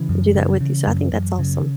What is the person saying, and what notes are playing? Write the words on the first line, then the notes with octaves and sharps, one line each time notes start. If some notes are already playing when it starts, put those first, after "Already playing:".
do that with you. So I think that's awesome.
Already playing: C#3 E3
F#2
C#3
C#3
F#2
F#2
C#3